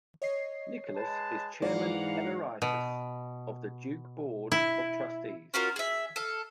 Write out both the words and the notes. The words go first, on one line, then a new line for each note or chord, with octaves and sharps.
Nicholas is Chairman Emeritus of the Duke Board of Trustees.
C#5 D#5 C7
G#3 B4 A5
G#2 E3 D5 F5 F#5 A#5
B2
E4
C#4 F4 F#4 A#4
G#4 E5
A4 F5